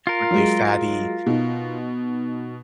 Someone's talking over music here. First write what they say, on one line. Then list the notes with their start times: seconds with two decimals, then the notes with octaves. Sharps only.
really fatty,
0.07 F4 A#4
0.31 F#3 G#3
1.26 B2 D#4